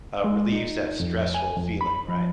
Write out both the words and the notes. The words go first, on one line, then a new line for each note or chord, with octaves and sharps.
uh, relieves that stressful feeling, right?
G#3
D#4
F2
G#5
F2
B5
F3